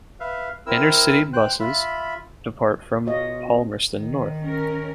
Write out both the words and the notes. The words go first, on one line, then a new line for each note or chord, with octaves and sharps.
Inter-City buses depart from Palmerston North.
B4 E5 F5
C4 E4 A#4 E6
C5 G5 F#6
F4 E5 B5
B2 F4 C#5 D#5
C4
D#3
C#4 A#4